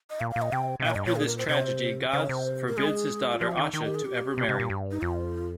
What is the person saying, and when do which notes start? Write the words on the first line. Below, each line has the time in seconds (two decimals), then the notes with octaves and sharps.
After this tragedy, Gaz forbids his daughter Asha to ever marry.
0.10 D#5
0.20 A#2 F5
0.31 F5
0.36 A#2
0.42 D#5
0.52 C3 G5
0.80 C3
0.84 A#2 F5
0.90 C#5
0.95 G2 D#5
1.06 A#2 C#5
1.16 G#4
1.28 A#4
1.38 C5
1.48 C3 C5
2.13 C#3 C5
2.22 C#5
2.29 C3 C5
2.68 A#4
2.77 G#3 G#4
3.32 F4
3.41 F3 G4
3.51 F4
3.57 D#3
3.63 D#4
3.73 D#3 D#4
3.84 G4
3.95 G#4
4.05 G4
4.38 C3
4.49 C3
4.60 A#2
4.70 G2
4.92 D#4
5.02 F2 F4